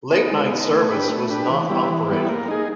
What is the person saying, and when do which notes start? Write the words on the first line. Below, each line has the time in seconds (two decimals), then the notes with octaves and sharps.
Late night service was not operated.
0.12 B3 D#4
0.32 G#3
0.50 B3 D#4
0.71 A3
0.91 D4 G4 B4
1.09 A3
1.30 D4 G4 B4
1.50 E3
1.70 G3 B3 E4
1.89 E3
2.09 G3 B3 E4
2.29 A#3
2.48 D#4 G#4